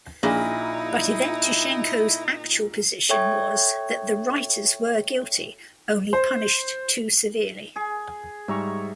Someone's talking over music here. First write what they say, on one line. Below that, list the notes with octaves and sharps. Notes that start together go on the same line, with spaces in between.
But Yevtushenko's actual position was that the writers were guilty, only punished too severely.
A#1 A#2 D#4 E4 G#4
A4 C#5 E5 G5 C#6 G#6
C5
G#4
G#2 G3 E5 A#5 C#6